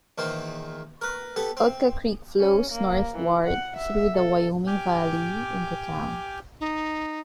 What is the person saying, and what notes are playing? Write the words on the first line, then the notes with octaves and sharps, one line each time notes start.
Oatka Creek flows northward through the Wyoming Valley in the town.
E2 A#2 D#3 C5
A#4 B4
B3 G4 A4
C4
C#4
A#3
E3
F#5
E5
A4
G4 G5 G#5 D6 F6 G6
D#4